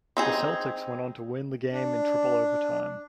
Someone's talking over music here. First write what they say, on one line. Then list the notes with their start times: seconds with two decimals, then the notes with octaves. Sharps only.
The Celtics went on to win the game in triple overtime.
0.17 C4 D#4 G#4
1.72 D4